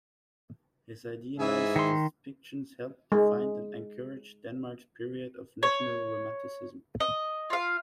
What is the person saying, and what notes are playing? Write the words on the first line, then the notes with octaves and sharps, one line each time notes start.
His idealised depictions helped define and encourage Denmark's period of national romanticism.
G#2 E3 G#4 E5
D#3 C6
G#3
C#5
D#5
F4 F5